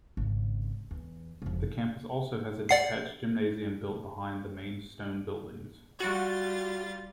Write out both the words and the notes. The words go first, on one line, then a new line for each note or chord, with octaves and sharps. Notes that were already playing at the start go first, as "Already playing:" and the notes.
The campus also has a detached gymnasium built behind the main stone buildings.
G#1 C#3
E2
F#1 F2
D5 F#5 C7
G3 F4 F#4 A6